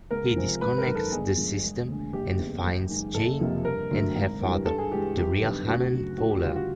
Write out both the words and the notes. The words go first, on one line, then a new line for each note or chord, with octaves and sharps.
He disconnects the system and finds Jane and her father, the real Hannon Fuller.
C#2 A#4
C3 F3 G#3 C4
G#1 B4
A#4
F#2 D#3
A4
G1 G#4
F#2 D3 F3 G#3
E1
D2 D3
F#1 G4
E2 C#3
F#2
D#3 G#3
F#1 A4
F2 C3 F3 A#3
G2 A#4
D3 F#3 A3
G#1
G2 E3 G3
G2 A4
G#4
E3 G#3 G4
F#2 G4
D3 G3 B3 D#4
D2 F#4
C#3 F#3
A1 F#4
G4
G2 D3 F4
F#4